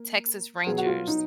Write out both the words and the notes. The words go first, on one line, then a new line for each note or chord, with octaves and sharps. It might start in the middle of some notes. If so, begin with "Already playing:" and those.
Texas Rangers
Already playing: A#3
B2 F#3 B3 G#4
F#4
F4
D#4